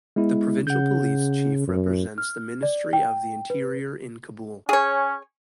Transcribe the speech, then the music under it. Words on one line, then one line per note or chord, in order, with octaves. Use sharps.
The provincial police chief represents the Ministry of the Interior in Kabul.
G#3 B3 E4
C#3 F#5 G6
F#2
F6
D5
G5
B4
C#4 G#4 C#5